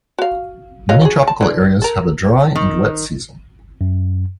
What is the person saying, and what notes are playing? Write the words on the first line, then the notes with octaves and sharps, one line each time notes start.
Many tropical areas have a dry and wet season.
F#4 F5
F#3 D#5 F5
F#4 G#4
A5
D3 E3
A4 A#4
D#3
F#2